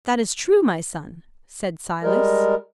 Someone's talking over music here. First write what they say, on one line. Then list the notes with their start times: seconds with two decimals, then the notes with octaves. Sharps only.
"That is true, my son," said Silas.
2.03 G3 G#3 A#4